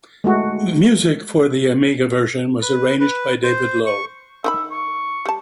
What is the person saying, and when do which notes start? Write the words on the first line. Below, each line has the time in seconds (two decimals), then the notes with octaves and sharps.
Music for the Amiga version was arranged by Dave Lowe.
0.24 G#3 A3 F#4
2.62 B4
3.00 B4
3.43 C5
3.86 C#6
4.44 D#3 F4 E5 B5
4.71 C#6
5.26 G3 A5